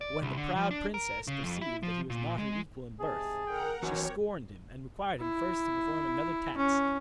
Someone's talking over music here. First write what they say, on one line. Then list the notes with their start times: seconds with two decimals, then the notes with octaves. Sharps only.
But when the proud princess perceived that he was not her equal in birth, she scorned him, and required him first to perform another task.
0.01 D5
0.22 C2
0.37 D3
0.56 F3
0.71 D4
0.94 A#4
1.28 C#3
1.43 F2
1.61 E4
1.83 F3
2.10 A#2
2.38 G#3
3.00 G#2 C3 G#4 A5
3.47 D3 A#4 F#5 G5 A#5
3.82 E3 F#3 C4 F#4 G4 C#5 G#5
5.21 E4
6.57 C#4